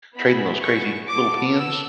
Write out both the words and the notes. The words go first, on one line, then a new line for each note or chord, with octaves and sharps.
trading those crazy little pins.
B3 E4 G#4 B5
C#6
B3 F#4 A4 D6
E6